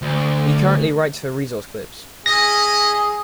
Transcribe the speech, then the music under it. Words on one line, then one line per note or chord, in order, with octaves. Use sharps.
He currently writes for Resource Clips.
D2
C#4 E4 G#4 D#5 A#6